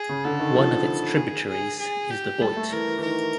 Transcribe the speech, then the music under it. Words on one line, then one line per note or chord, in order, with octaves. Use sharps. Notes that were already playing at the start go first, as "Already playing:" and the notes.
One of its tributaries is the Boite.
Already playing: G#4
C#3
D3 A4
D#3
F3
G#4
G#4
G#4
G4
G3 A4
A3
E3 A#4
E3
E3
D#3 A#4